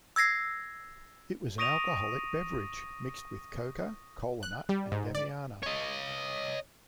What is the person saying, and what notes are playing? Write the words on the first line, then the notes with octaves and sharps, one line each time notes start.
It was an alcoholic beverage, mixed with coca, kola nut and damiana.
E6 G#6 A#6 C7
C#6 D#6 A#6 D7 D#7 F7
F#6
G3
G#2
D5
C#5 D#5